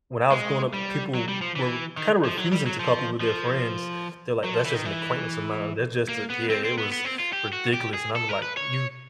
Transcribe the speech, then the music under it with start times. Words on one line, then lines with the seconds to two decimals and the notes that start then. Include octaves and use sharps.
When I was growing up, people were kinda refusing to call people their friends, they're like, "That's just an acquaintance of mine," or "That just a" Yeah, it was ridiculous, and I'm like, "You"
0.31 G#3
0.74 G3
1.15 F#3
1.28 G3
1.42 F3
1.56 E3
1.97 D#3
2.24 F3
2.37 F#3
2.52 G3
2.66 F#3
2.80 F3
3.20 F3
4.44 F#3
4.54 F3
4.65 E3
4.75 D#3
4.85 E3
6.08 A#3
6.30 B3
6.50 C4
6.65 C4
6.78 B3
6.92 B3
7.05 C4
7.20 F4
7.33 G4
7.53 F#4
7.74 G4
7.94 G#4
8.16 A4
8.29 A#4
8.42 B4
8.57 C#5